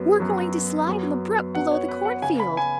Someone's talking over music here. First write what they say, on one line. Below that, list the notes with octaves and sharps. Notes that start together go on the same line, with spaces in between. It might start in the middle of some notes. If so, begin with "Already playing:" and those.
"We're going to slide on the brook below the cornfield."
Already playing: F#2 F#3 B3
F#2 F#3 B3
F#2 F#3 B3
F#2 F#3 B3 F#5
C#5
B4
F#5
C#3 B3 G#5
B5
G#5